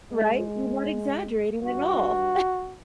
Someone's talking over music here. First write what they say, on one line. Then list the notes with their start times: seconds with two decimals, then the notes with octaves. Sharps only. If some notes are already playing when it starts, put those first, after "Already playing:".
Right? You weren't exaggerating at all.
0.11 G#3
1.65 G2 F#4